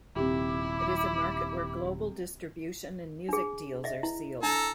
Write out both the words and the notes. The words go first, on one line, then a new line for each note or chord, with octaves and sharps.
It is a market where global distribution and music deals are sealed.
D#1 C3 E4 G4 D6
D4 G#4
D#5 E5
E4
D4 A4 A#5